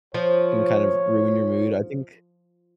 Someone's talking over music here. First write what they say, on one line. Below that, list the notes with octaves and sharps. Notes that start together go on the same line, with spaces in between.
can kind of ruin your mood, I think
F3 C#5